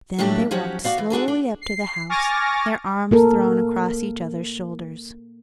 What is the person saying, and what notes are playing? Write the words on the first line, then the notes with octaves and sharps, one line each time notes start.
Then they walked slowly up to the house, their arms thrown across each other's shoulders.
A2 F#3 A3 D4 G4
F3 F#3 C#4 F#4 G4
F#4 D5 F5
E3
D4 F#4 G#4 A4
D4
C7
G#5 C#6 D6 F6 A6 A#6
A#3 A4 A#4